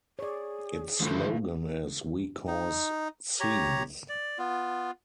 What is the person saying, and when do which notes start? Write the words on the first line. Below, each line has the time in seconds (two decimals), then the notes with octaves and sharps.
Its slogan is "We Cause Scenes".
0.19 G#4 C#5 D5
1.00 D2 G2 D3 E3 F3 A3
2.47 D#4
3.40 G4 C#5 A#5
4.09 D5
4.38 B3 F4